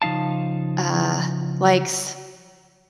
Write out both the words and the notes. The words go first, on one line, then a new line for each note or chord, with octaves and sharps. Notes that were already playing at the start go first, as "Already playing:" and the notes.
uh, likes
C#3 F3 D#4 F5 A5